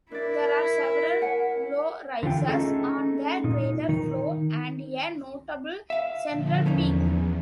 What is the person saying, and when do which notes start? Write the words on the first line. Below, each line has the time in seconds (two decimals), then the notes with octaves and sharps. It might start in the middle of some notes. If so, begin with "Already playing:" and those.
There are several low rises on the crater floor and a notable central peak.
0.12 D4 E4 A#4 D5
1.21 C#5 F#5 G#5
2.23 D3 E3 F4 G5
2.48 A3 C#4 D#4 G#4 A4
3.44 A#2 D#4
3.89 D#3 D#4
5.90 E5 F5
6.27 A#2 D3 F3
6.66 E2 F3 C#4 D#4